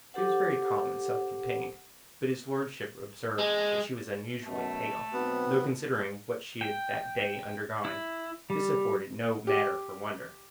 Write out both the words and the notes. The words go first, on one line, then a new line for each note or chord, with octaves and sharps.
She was very calm and self-contained; but his lordship observed that she was unusually pale, though considering what she had that day undergone this afforded no matter for wonder.
D4 G4 A4 C5 F#5
G#3
F#2 B2 A3
B1 B3 C4 F#4
G5
E4
G3
G4